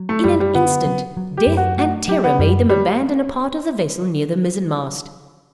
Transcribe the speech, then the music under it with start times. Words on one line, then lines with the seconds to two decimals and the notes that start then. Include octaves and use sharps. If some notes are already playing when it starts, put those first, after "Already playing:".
In an instant, death and terror made them abandon a part of the vessel near the mizen-mast.
Already playing: F#3
0.09 A3
0.24 F#2 G3
0.40 G3
0.55 D3 B3
0.86 F#3
1.17 F#3
1.37 G4
1.47 F#2
1.57 F#4
1.77 A3 F#4
2.08 F#3 G4
2.24 B3
2.39 F#2 G3
2.69 G3